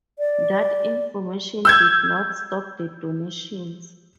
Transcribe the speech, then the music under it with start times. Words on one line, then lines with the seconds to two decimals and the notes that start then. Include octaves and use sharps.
That information did not stop the donations.
0.19 D5
1.65 E6 G6 G#6